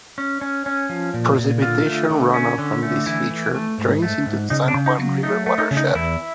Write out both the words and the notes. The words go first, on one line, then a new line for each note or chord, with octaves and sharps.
Precipitation runoff from this feature drains into the San Juan River watershed.
C#4
C#4
C#4
F3
A#2
A#2
D3 F4
A3
D3
C#4
D3
A3
E3 E4
E3
A3
G#2
A3
G#2
C#3 D#4
D4
C#3
D#4
F#3
A3 D#4
A3
D#4
C#3
D#4
E2 E4